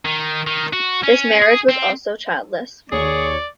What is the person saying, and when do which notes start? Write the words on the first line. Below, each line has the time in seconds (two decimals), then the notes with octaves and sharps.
This marriage was also childless.
0.05 D#3
0.47 D#3
0.73 F#4
1.03 C#4
1.42 G#4
1.69 C4
2.92 D#2 G#4 C#5 D5 C#6